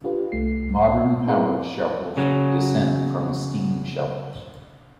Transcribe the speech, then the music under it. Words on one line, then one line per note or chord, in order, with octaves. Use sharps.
Modern power shovels descend from steam shovels.
D4 F4 G4 B4
C2 A3 C7
C4 D#4 E4 G#4 A#4 B4
C#3 F#3